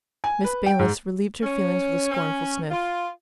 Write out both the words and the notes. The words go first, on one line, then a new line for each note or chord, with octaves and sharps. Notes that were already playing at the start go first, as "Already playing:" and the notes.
Miss Baylis relieved her feelings with a scornful sniff.
G#5
B4
G5
G#2
C#4
C#4
F4